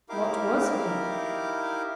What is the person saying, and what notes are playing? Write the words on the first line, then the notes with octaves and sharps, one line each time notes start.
What was he?
D#4 E4 G4 A#4 F5 D6